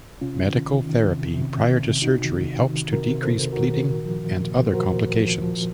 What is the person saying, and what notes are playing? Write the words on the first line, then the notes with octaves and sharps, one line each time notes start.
Medical therapy prior to surgery helps to decrease bleeding and other complications.
C3 C#4 F4
D#3
D#3
D#3
C3
C3
D#3
C3
C3 D#4 F#4
D#3
C3
D#3
C3 F#4 A#4
C3
A4 C5
C3
F#4 A#4
D#3
A#2
F3
A#2
A#2
C5
F3 F#4 A#4
A#2
F3
F3